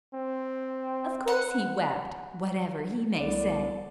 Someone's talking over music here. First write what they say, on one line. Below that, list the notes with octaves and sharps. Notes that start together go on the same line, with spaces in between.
Of course he wept--whatever he may say.
C4
F#5
C2 B3 D5